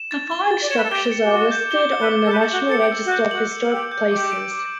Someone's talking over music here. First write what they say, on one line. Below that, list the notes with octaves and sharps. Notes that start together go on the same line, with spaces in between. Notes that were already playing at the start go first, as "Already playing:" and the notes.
The following structures are listed on the National Register of Historic Places.
Already playing: E7
A6
G7
A6
D5
C#5 E7
B4
A4
G4 G7
C#7
G4
F#4 D6
G6
G4 G7
C#7
B4
D6
A4
B4 G6
A4
F#4 F#7
A4 C#7
G4
E6
F#4
G6
F#4 F#7
C#7
G4 E6
G6
G4 D6
D7
D6